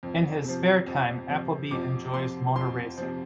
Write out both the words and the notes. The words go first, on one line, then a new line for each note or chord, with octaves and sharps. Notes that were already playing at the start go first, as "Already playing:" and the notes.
In his spare time, Appleby enjoys motor racing.
F2
C3 F3
F2
C3 F3
F2 D6
C3 F3 C6
F2 C6
C3 F3